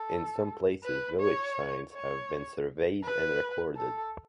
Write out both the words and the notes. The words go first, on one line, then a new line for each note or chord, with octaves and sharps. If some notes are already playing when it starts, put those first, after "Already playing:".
In some places village signs have been surveyed and recorded.
Already playing: A4
B4
C#5
C#5
B4
A4